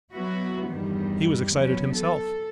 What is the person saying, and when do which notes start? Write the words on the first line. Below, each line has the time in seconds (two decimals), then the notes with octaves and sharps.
He was excited himself.
0.12 F#3 B3 E4 F#4
0.70 E2 G2 D#3 G3
1.55 F#3 B3 C#4
1.96 A4